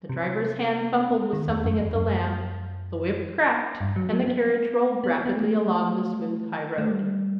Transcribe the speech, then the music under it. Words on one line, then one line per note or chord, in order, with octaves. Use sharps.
The driver's hand fumbled with something at the lamp, the whip cracked, and the carriage rolled rapidly along the smooth highroad.
C3
D#3
E2
F#2
E2
F#2
G2
F#3
F#3
B3
B3
B3
A3
A3
G3